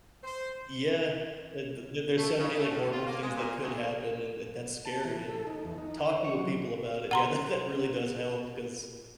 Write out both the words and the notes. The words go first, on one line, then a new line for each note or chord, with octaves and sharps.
Yeah, tha th th there's so many, like, horrible things that could happen, and th that's scary, and talking with people about it, yeah, that that really does help 'cause
C5
A3
C#3
A3
A2
F4
A#3
G#3
A#2
D2
A5
E3
A4
D#4
E2
D#4
C5
C#6
F#3
F#5 A#5 C6